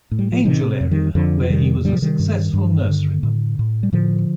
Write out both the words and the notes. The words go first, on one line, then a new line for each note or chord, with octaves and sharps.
Angel area where he was a successful nurseryman.
A2
G3
F3
C3 D#3
F2
D#3 G3
F2 D3 F3
F3
C3 D#3 G3
D3 G3
F3
D#3 G3
G2
G2
D3
A2
A2
G3
A2 D3 F3